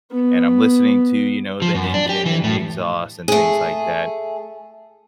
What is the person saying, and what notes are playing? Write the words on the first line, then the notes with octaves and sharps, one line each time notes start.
and I'm listening to, you know, the engine and the exhaust and things like that,
B3
F3
F#2
D4
G4
E3
A2
A3 G#4